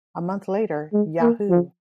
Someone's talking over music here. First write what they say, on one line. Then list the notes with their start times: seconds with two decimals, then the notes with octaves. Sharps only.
A month later, Yahoo!
0.93 G#3
1.21 A#3
1.50 F3